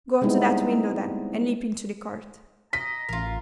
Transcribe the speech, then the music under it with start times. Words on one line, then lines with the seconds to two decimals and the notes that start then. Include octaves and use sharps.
Go to that window, then, and leap into the court.'
0.22 G3 G#3 B3 C4 D#4 E4
2.73 D#5 A#5 B6
3.09 A1 F4 A#4